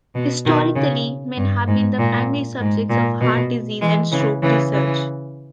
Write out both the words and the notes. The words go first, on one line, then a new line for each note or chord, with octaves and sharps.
Historically men have been the primary subjects of heart disease and stroke research.
B2
B2 D#3
C#3
G2
G#2
A#2
G#2
A#2
B2
E3 G#3
C#3 E3
C#3 E3
C#3 E3